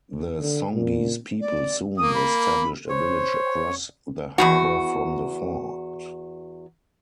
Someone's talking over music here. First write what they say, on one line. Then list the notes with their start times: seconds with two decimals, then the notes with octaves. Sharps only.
The Songhees people soon established a village across the harbour from the fort.
0.40 D3
0.74 A#2
1.41 D5
1.98 A#3 D#6
2.15 B5
2.89 C5 C#5
4.38 E2 G2 F#4